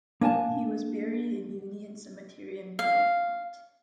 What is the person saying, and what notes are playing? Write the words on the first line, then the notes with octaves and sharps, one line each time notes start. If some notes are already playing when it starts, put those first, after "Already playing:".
He was buried in Union Cemetery in Bellefonte.
A#3 D4 G#5 A5
F5